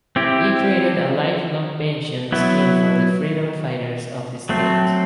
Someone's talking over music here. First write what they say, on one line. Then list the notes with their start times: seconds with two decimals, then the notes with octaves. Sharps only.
He created a lifelong pension scheme for the freedom fighters of the state.
0.16 C4 E4 G4
2.32 F#3 B3 E4
4.49 F#3 A3 C4